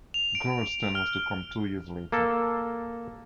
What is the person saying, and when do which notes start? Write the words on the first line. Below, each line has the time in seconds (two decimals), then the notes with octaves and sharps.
Gorrell's turn was to come two years later.
0.14 F7
0.35 D7
0.95 F6
2.12 A#3 A4